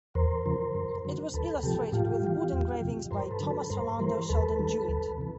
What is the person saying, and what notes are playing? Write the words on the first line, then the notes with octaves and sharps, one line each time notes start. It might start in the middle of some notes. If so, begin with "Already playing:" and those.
It was illustrated with wood engravings by Thomas Orlando Sheldon Jewitt.
E2 A#4 C5
C#3 F3
F#2
D3 F#3
D2 A4 B4
C3 F3 G4 A4
A2 F4 G4
E3 G3
E2
C3 F3
G2 A#4 C5
A4 B4
D3 F#3
A4 B4
G2 A#4 C5
E3 G3 A#4 C5
D#2 A4 B4
D#3 G3
D2
C3 E3